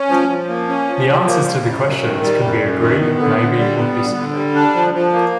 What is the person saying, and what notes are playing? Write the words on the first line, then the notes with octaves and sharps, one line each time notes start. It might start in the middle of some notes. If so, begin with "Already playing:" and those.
The answers to the questions can be Agree, Maybe or Disagree.
Already playing: C#4
F3
F3
A#3
C#4
F3
F3
A#3
G3
F#2
F#2
D#3
G3
F#2
F#2
D#3
B3
D3
D3
G3
B3
D3
D3
G3
D4
F3
F3
A#3